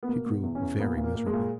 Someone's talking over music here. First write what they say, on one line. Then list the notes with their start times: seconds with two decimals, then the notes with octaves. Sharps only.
She grew very miserable.
0.03 B3
0.08 B2 A#3
0.26 B2
0.43 E2
0.55 C#4
0.61 E2
0.79 A#2 B3
0.97 A#2
1.04 A#3
1.15 A#2 A#3
1.26 G#3
1.33 A#2